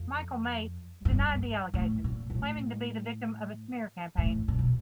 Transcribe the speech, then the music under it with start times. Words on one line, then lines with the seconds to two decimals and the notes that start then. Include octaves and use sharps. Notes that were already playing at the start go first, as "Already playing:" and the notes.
Michael Mates denied the allegations, claiming to be the victim of a smear campaign.
Already playing: F2
1.05 G#2
1.12 G2
1.74 A2
2.04 A#2
2.30 A#2
2.35 A2
4.18 A2
4.48 A#2
4.59 B2